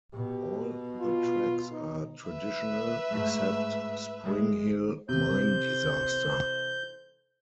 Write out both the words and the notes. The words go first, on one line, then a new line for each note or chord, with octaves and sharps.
All the tracks are traditional except "Springhill Mine Disaster".
B2 G4
F4
D#4
B4 E5
G#2 A3
G#3
C3 E3 A4 C5 G6